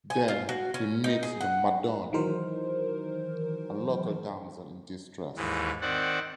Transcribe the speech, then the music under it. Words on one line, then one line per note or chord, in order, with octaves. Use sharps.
There, he meets the "Madonna", a local damsel in distress.
G#5
F4
F#4
C#4
D#4
G#4
F#5
D#3 E3 F#3 D#4 A#4 C5
D#2 G#2 E3
D#3 C4 D5 F#5